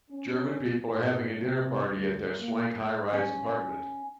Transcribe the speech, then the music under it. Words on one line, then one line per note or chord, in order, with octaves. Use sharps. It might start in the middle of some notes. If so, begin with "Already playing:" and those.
German people are having a dinner party in their swank highrise apartment.
C#4
G#2
C3
D2
A#3
C#4